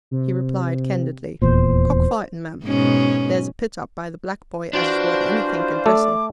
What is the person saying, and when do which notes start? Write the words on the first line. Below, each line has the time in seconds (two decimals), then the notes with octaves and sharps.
He replied candidly, 'Cock-fightin', ma'am; there's a pit up by the "Black Boy" as is worth anythink in Brissel.'
0.11 C3
1.42 D#1 E2 A#2 C5
2.66 G#2 B2 C#4
4.73 E3 D4 F4 F#4 C5 D5
5.86 A3 A4 D6